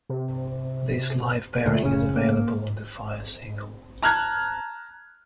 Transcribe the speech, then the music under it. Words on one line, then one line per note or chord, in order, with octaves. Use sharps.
This live pairing is available on the "Fire" single.
C3
D2 A#2 D3 A3
F#1 C#3 C#4
A#3
A5 A#5 F6 F#6 G#6